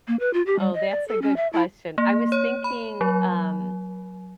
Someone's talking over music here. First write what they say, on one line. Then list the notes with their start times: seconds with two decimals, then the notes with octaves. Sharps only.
Oh, that's a good question. I was thinking, um,
0.08 A#3
0.20 B4
0.33 F4
0.46 G4
0.59 G3
0.74 D#5
0.89 D5
1.08 A4
1.22 C#4
1.36 E5
1.53 E4
1.98 A#3
2.32 C#5
2.64 B5
3.01 F#3